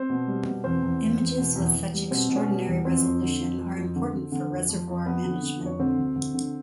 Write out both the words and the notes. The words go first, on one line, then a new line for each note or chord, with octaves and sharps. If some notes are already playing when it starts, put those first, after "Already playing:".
Images with such extraordinary resolution are important for reservoir management.
Already playing: C4 C5
B2
G3
B2
E2 C4 C5
E2
E2
E2
B2
E2
E2
G3
B2 C4 C5
B2
C#4 C#5
G3
E2
F2 C4 C5
F2
D3
F2
F3
F2
D3
D3
D3
F2
F3
F2
F3 B3 B4
D3
D3
F2
C#5
D3 C4 C5
D2
D2
D3